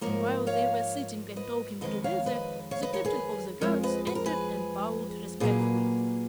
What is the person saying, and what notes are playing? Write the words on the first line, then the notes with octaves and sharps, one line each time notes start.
While they were sitting and talking together the Captain of the Guards entered and bowed respectfully.
G#2 F3 A#3 A#4 C#5
C#5 F5
B4 D#5
F2 D#3 G#3 B4 D#5
C#5 F5
B4 D#5
C#5 F5
B4 D#5
A#4 C#5
G#4 B4
F2 F3 G#3 A#4 C#5
B4 D#5
B4
A#4
G#4 B4
A#2 F#3 A#3 G#4 B4